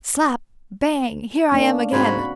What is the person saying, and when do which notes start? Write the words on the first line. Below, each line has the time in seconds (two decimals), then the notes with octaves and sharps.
'Slap! bang! here I am again!
1.52 A#3 C#4 D4
1.92 G#2 C4 F#4 B5